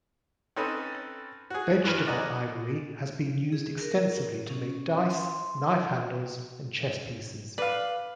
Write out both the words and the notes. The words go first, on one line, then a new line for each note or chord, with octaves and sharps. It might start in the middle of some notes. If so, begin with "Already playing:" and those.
Vegetable ivory has been used extensively to make dice, knife handles, and chess pieces.
C4 C#4 D#4 A4 B4
F#4 G#4
G2 E3 B5 F6
D5 D#5 F#5 G#5 A#5
G#4
A#4
C#4
C6
B4 D5 F5